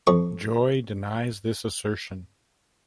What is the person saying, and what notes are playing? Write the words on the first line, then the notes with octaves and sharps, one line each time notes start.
Joy denies this assertion.
F2 C#6